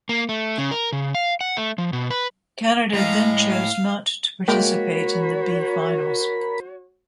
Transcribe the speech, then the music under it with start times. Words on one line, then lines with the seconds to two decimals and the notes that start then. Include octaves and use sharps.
Canada then chose not to participate in the B Finals.
0.09 A#3
0.29 A3
0.58 C#3
0.71 A#4
0.92 C#3
1.15 F5
1.41 F#5
1.57 A3
1.78 F3
1.93 B2
2.11 B4
2.94 A2 G#3 F5 A#5
3.49 F5
4.48 G#3 A#3 F#4 A#4 C#5 G5 B5